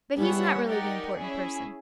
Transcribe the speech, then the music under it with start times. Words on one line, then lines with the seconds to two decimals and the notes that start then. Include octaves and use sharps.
But he's not really the important person.
0.18 G3 B3 E4 G#4 C#5 F#5
0.68 D#4 G4 A#4 D5 F#5
1.20 C#4 E4 G#4